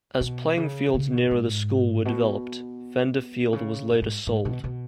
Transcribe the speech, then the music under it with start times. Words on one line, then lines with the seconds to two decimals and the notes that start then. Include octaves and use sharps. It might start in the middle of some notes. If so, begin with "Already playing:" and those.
As playing fields nearer the school were developed, Fender Field was later sold.
0.21 B2
0.57 C#3
0.94 C#3
1.13 B2
1.31 G#2
2.05 B2
3.53 C#3
3.90 G#2
4.02 G#2
4.27 G#2
4.45 B2
4.64 B2